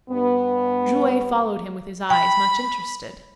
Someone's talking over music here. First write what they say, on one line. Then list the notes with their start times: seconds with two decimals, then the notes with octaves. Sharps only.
Drouet followed him with his eyes, much interested.
0.11 G2 B3
2.10 G5 B5